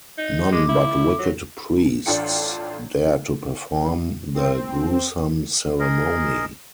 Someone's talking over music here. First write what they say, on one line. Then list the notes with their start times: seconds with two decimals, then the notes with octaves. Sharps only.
None but wicked priests dare to perform the gruesome ceremony.
0.18 D#4
0.52 G#3 D6
0.69 E4
1.19 F#3
2.06 A1 D4 F4 A4 G5 C#7
4.34 C4
5.80 G#4 A#4 D#5